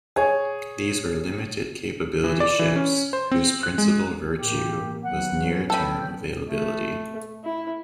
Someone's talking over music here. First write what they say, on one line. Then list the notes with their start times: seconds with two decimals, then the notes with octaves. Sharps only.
These were limited-capability ships, whose principal virtue was near-term availability.
0.16 G#4 C#5
2.24 E3
2.40 D5
2.59 E3
2.76 C#4
3.13 C5
3.32 C4
3.63 F#6
3.78 G#3
4.37 A2 E3 A#3 G4
5.03 F#3 B3 C#4 F#5
5.70 A4 G5 B5
6.49 A3
7.44 E4